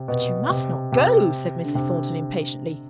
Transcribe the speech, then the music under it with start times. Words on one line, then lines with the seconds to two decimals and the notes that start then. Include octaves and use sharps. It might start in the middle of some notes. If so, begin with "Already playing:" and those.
'But you must not go,' said Mrs. Thornton, impatiently.
Already playing: C3
0.08 B2
0.50 C3
0.92 C3
1.64 D3
1.75 C3